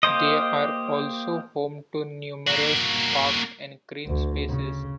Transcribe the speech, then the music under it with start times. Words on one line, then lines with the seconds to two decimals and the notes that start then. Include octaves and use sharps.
They are also home to numerous parks and green spaces.
0.03 A#3 G4 C5 D#5
2.48 A#3 F#4
4.06 D2
4.50 C#3